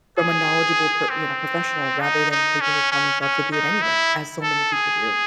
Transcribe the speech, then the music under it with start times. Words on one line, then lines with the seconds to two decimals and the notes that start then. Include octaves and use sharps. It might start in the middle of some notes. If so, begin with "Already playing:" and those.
from a knowledgeable per you know, professional rather than taking it upon themselves to do it anyway, as so many people do.
0.19 G#4
1.10 C4
2.00 D#4
2.31 D#4
2.61 C#4
2.92 C#4
3.21 C#4
3.52 D#4
3.82 E4
4.42 A4
4.73 G#4